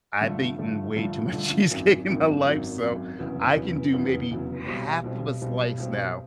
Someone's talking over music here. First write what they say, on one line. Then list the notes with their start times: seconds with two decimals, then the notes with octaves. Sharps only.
I've eaten way too much cheesecake in my life, so I can do maybe half of a slice now,
0.21 G2 D3 F3 A3
0.58 G2 D3 F3 A3
0.96 G2 D3 F3 A3
1.33 G2 D3 F3 A3
1.71 G#1 F#2 D#3 F#3
2.08 G#1 F#2 D#3 F#3
2.44 G#1 F#2 D#3 F#3
2.82 G#1 F#2 D#3 F#3
3.18 F1 E2 C#3 F#3 B3
3.56 F1 E2 C#3 F#3 B3
3.93 F1 E2 C#3 F#3 B3
4.30 F1 E2 C#3 F#3 B3
4.66 B1 B2 G3 C4
5.04 B1 B2 G3 C4
5.41 B1 B2 G3 C4
5.78 B1 B2 G3 C4